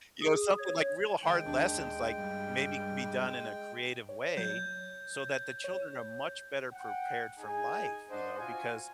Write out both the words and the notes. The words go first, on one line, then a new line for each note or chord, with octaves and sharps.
You know, something like real hard lessons, like, maybe could be done in a creative way, so that the children are much better prepared for life, you know, because
G#4
C#5
D#3 G#3 G5
D#2 D4
G2 G3
C#5
F#3 G6 G#6
C#5
F#5 G5
D#4 G#4 G#5
D4 C5 D#5 F#5
F4 F#4 G#5